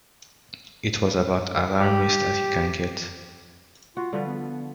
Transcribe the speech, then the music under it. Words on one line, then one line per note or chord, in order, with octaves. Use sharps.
It was about alarmist as you can get.
G4
F4 F#4
D3 F3 G3 B4
B3